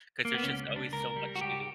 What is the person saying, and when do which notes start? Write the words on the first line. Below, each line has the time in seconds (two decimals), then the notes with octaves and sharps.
'cause there's just always so much to do.
0.25 A#3
0.34 B3
0.43 C#2 C#4
0.68 C#2
0.76 D4
0.92 C#2 A#4
1.16 G3
1.36 F#4
1.41 C#2 G4